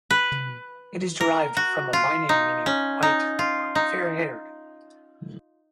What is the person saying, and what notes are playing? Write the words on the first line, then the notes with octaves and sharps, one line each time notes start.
It is derived from a byname meaning "white" or "fair-haired".
B4
A#4
F#4
F4
D#4
C#4
D#4
F4
D#4